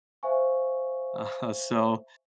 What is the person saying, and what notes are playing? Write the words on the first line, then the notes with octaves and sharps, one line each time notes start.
Aha, so,
C5 E5 F5 G#5 C#6